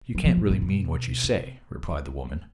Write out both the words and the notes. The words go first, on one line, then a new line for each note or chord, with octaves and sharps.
'You can't really mean what you say?' replied the woman.
F#3
F3
B2
A#2
B2
C3